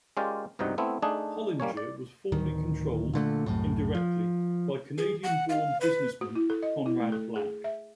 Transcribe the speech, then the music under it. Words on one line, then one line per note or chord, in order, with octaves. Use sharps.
Hollinger was formerly controlled, indirectly, by Canadian-born businessman Conrad Black.
G#3 C#4 F4 G4 A#4 D5
C#2 G2 C3 F#3 D#4 F#5
A3 B3 C4 E4
A3 D4 D#4 G#4
G3 A#3 C#4 C#5
D5
D1 D#3
A#2 D3 A3
C2 F#2 A2
F3
G#4
F#5
F5
B4
F#4
E4
A4
D#5
E4
A3
A4
G#4
E5